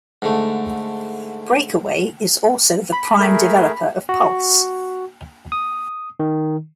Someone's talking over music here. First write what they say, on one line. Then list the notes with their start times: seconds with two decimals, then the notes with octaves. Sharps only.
BreakAway is also the prime developer of Pulse!!
0.22 G#2 D3 A3
2.92 B5 B6
3.19 A3 G#4 A#4
4.09 F#4
5.52 D#6
6.20 D#3